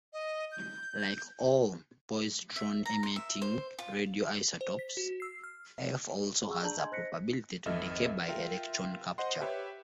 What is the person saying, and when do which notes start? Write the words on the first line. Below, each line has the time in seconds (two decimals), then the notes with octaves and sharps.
Like all positron-emitting radioisotopes, F also has a probability to decay by electron capture.
0.13 D#5
0.52 G6
2.56 E5
2.85 A#5
3.03 C6
3.16 E5
3.42 C5
3.79 F4
4.61 C5
4.79 B6
4.97 F#4
5.20 E6 C7
5.44 F6
6.47 G#4 F#5 C#6 E6
6.64 D4 D5 A5 A#5 G6 F#7
6.77 D#5 G#5 C6 G#6
6.92 C5 D#5 F#6 A#6 B6 C#7
7.66 G#1 F2 A4 D#5 E5 F6
8.28 F4 A#4 E5 G5
9.18 C5 D#5 F#5 C6
9.41 G4 B4 C#5 E5